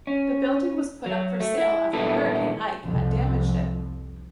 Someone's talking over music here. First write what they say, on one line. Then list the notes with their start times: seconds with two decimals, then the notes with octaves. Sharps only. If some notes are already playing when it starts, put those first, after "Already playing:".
The building was put up for sale after Hurricane Ike had damaged it.
0.07 C#4
1.06 F#3
1.40 A3
1.58 E4
1.93 A#2 D3 G3 B3 E4 A4
2.83 C2 F2